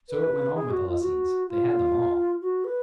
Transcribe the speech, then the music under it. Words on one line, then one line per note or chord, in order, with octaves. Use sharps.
So it went on with the lessons; they had them all.
B4
G#4
F#4
F4
F#4
F4
F#4
B4